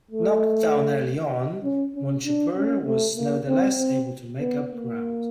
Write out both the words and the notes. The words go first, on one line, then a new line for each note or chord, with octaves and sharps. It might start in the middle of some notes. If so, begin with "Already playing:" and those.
Knocked down early on, Monshipour was nevertheless able to make up ground.
A3
C#4
C#4
D4
C#4
A3
A#3
C4
C4
B3
A#3